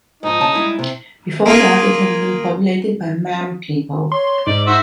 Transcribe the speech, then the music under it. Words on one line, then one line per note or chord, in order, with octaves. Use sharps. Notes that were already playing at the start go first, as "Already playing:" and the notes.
Before that, it had been populated by Mam people.
G#2 F3 D#4
C#3 A5
G3 G#3 E4
C3
A#3 F4 G#4
C#5 C6
G#2 D5 D#5
D#4 F#4 C5 E5